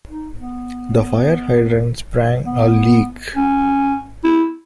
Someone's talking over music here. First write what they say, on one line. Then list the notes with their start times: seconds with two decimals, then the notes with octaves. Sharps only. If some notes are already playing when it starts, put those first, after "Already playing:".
The fire hydrant sprang a leak.
0.09 D#4
0.38 B3
2.46 B3
3.35 C#4
4.24 E4